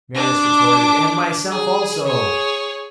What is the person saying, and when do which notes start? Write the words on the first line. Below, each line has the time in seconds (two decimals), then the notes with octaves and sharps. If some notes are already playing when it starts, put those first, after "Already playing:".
Marius retorted: "And myself also."
0.14 D4 D6
1.51 G#4
2.06 G#4 C#5